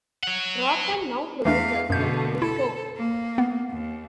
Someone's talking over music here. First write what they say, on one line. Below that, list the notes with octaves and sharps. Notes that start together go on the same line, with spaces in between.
Roten now produces the morning show.
C#5 F#5
E2 E3 A3 D4 F5
F#2 B2 D3 G6
E4 A4
A#3
B3
D#2